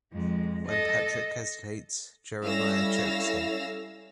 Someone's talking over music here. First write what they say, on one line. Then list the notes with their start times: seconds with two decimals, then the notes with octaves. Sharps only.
When Patrick hesitates, Jeremiah chokes him.
0.13 F2 G#3
0.67 A4 D#5
2.44 G3 C#4 E4 A4 F5 E6 A#6